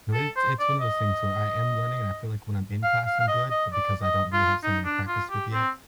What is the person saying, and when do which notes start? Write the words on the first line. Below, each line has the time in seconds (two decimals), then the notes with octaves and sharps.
No, it's it's one of those things where I am learning, and I feel like when I'm in class, I'm good, but because I don't really have someone to practice with yet,
0.13 A4
0.36 C5
0.59 D5
0.81 D#5
2.83 F5
3.06 F5
3.20 F5
3.28 D#5
3.50 D#5
3.73 D5
4.02 D#5
4.33 F4
4.63 D#4
4.85 D4
5.08 F4
5.30 G4
5.53 C4